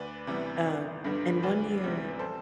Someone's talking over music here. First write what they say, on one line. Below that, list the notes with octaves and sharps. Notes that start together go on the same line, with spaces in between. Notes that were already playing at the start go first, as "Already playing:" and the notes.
Um, and one year,
Already playing: D2 B4 D5
C3 E3 G3 B3
G1
G2 D3 G3 B3
D2 B4 D5
C3 G3 B3
A4 C5